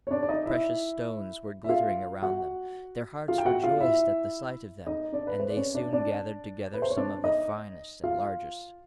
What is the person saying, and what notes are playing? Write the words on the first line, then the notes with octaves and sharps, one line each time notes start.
The precious stones were glittering around them; their hearts rejoiced at the sight of them, and they soon gathered together some of the finest and largest.
C#5
D4 D5
D5
D#4 D#5
E4 E5
E5
F4 F5
F#4 F#5
F4 F5
G5
F#4 F#5
F4 F5
E4 E5
D#4 D#5
D4 D5
B4
C5
D5
C#4 C#5
D4 D5
D4 D5
B4
C5
C#5
D4 D5
D#4 D#5
F4 F5